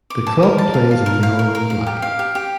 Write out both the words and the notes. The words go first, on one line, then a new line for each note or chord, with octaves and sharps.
The club plays in yellow and black.
D6
A5
A#4
A5
F5
F5
A#4
F5
A#4
A#4
F5
G4
F5
G4
G4